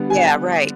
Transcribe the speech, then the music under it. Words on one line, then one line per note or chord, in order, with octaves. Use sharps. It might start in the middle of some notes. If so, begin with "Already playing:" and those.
Yeah, right.
Already playing: D3 G3 B3
G#5